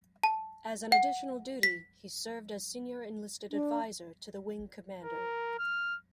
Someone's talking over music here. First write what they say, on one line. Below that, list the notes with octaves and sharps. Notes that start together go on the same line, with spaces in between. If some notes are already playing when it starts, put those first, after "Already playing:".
As an additional duty, he served as senior enlisted adviser to the wing commander.
A5
F#5
B6
D4
A#4
F6